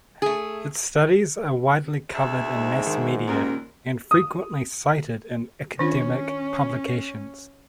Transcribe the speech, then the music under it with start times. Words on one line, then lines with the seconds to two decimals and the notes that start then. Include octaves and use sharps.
Its studies are widely covered in mass media and frequently cited in academic publications.
0.22 A3 G#4
2.13 D2 G#3 E5
2.56 G#2
2.87 D#3
3.27 D#2 A#2 C#4 A#4
4.11 D#6
5.79 D#3 C#4 D4 F4